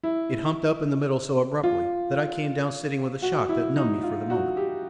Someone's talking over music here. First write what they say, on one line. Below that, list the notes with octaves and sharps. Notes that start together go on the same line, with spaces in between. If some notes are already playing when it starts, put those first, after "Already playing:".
It humped up in the middle so abruptly that I came down sitting with a shock that numbed me for the moment.
E4
F4
F#4
E4
D#4
F4
F#4
G4